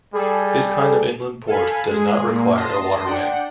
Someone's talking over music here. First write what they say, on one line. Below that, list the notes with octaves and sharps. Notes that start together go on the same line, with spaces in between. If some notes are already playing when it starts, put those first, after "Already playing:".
This kind of inland port does not require a waterway.
G3 G#4 A4
A4 F5 G#5 B5
G#3 G#4
A#2 A#3
D#5 A5 C6 A#6
D4 F#5 G5